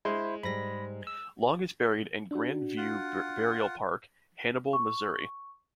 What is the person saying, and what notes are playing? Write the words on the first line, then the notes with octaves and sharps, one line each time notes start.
Long is buried in Grand View Burial Park, Hannibal, Missouri.
G#3 E4 C5 C6
G#2 G3 B5 A#6
E6
D4 F#4
F4 F#5
C#6